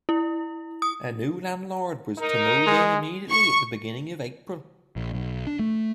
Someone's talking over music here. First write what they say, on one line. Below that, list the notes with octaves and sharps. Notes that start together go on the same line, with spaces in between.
A new landlord was to move in immediately at the beginning of April.
E4
D#6
D#4 A#4
G#3
C#6
A#1
B1
D4
A3